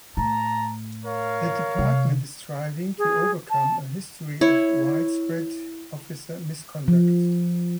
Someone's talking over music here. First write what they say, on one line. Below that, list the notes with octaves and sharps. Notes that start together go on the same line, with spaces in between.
The department is striving to overcome a history of widespread officer misconduct.
A2 A5 A#5
A#4 C#5 F5
C3
G#4
A5
E4 C#5
F3